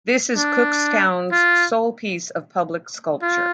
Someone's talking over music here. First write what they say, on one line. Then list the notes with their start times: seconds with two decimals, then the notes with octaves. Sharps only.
This is Cookstown's sole piece of public sculpture.
0.36 D4
1.32 F4
3.22 F4